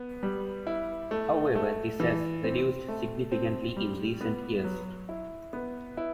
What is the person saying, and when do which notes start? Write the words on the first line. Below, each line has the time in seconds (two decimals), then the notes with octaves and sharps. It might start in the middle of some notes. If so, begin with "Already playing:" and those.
However this has reduced significantly in recent years.
Already playing: B3
0.23 G3
0.67 E4
1.11 A3
1.55 A3
2.00 E3
2.44 C4
2.88 A3
3.32 C4
3.77 G3
4.21 B3
4.65 F#3
5.09 E4
5.53 B3
5.97 E4